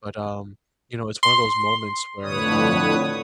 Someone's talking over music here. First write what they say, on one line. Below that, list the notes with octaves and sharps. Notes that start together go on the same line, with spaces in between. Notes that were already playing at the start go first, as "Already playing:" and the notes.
but, um, you know, it's one of those moments where, uh,
C6
F2 A2 D3 B4 C#5 D#6